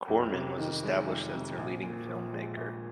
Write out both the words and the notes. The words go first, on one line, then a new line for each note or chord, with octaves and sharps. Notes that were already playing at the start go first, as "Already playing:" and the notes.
Corman was established as their leading filmmaker.
F2
C3
D#3
G#3
F2
C3
A#1
A#2
F3
G#3
A#1